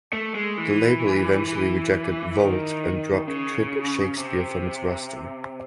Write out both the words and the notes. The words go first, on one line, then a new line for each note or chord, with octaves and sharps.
The label eventually rejected "Volt" and dropped Trip Shakespeare from its roster.
A3
G#3
E3
E3
D#3
C#3
C3